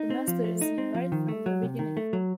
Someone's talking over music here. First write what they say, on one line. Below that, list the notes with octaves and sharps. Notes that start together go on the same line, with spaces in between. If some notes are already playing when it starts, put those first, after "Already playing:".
The master is seen right from the beginning.
Already playing: D#4
C4
F3
A3
D#4
C4
F3
D#3
A3
F#3
C3
D#3
A3
F#3